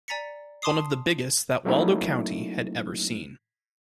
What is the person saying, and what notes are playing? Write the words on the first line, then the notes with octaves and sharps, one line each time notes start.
One of the biggest that Waldo County had ever seen.
D5 G#5 A#5 A6 B6 C#7
G#5 A5 C6 D6 D#6 C7
F#3 A3 A#3 C#4 D#4 E4